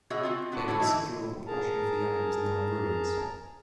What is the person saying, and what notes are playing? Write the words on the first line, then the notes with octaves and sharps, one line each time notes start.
A considerable portion of the abbey is now in ruins.
B2 F#4 G#4 C#5 D#5 E5
C4 F4 F#4
B3 D4 F#4
E4 F#4 A4 B4 C#5
E3 D#4 E4
G#4 A#4 A5 A#5